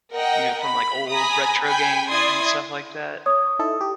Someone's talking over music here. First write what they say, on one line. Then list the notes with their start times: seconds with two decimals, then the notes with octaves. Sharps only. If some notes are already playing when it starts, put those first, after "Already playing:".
you know, from, like, old retro games and stuff like that.
0.14 A#4 D#5 F#5 G5
0.64 B5
1.10 G#5 A#5 B5 D#6
1.64 G5 G#5 B5 G6
2.10 E4 D5 C6 D#6 G#6
3.26 C#5 D#6
3.59 D#4 E4 A4
3.81 G4